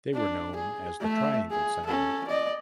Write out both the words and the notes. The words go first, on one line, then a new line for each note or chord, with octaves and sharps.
They were known as the "Triangle Sound".
D4
G#4
A3 E5
G#4
C#4 A4
D5 D#5